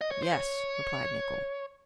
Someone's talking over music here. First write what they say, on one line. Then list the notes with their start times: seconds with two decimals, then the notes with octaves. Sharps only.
"Yes," replied Nicholl.
0.01 D#5
0.11 C#5
0.22 C5
0.33 C#5